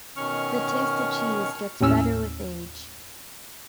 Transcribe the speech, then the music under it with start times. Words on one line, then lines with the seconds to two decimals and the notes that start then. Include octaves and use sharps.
The taste of cheese gets better with age.
0.17 B2 D#3 C#4 C#6 F6
1.80 D#2 A2 C#4 E6 F6